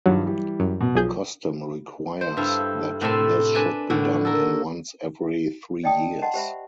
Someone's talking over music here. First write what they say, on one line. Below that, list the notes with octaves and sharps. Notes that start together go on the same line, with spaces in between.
Custom requires that this should be done in once every three years.
G2 D#3 F3 F#3
E3 G3
F#2
B2
B1 F3 G#4 G6
C5
G2 E4 A4 F5
A2 C3 A3 A4 A5 C6
D4 B4 G#5 A5
A2 D3 F#4
A4 A#4
D5 D#5 G5 A5 D#6
D#5 F#5 A5 C6
G4 C5 E5 B5